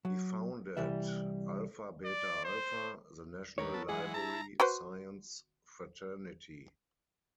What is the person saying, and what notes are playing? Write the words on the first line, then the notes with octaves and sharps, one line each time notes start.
He founded Alpha Beta Alpha, the national library science fraternity.
F#3
C2 E3 G3 E5
D5
C5
D#2 A#4 B4 C#5
B3 A4
E3 G#3 G#4 F#5
E4 A5 A#5
F#4 B4 C5